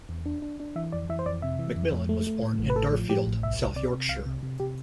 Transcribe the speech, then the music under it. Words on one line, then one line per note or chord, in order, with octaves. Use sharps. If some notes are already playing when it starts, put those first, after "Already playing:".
McMillan was born in Darfield, South Yorkshire.
E2
D4
D4
D4
E3 E5
F2 D5
E3 E5
C5
F2 D5
C3 E5
E3
F2
F2
A3
A3
A2
A1
B4
A2 A4
F3
A2 G4
A1
C2 E5
C2
C3 D5
C3
C2 F5
C3
C3
C3 G4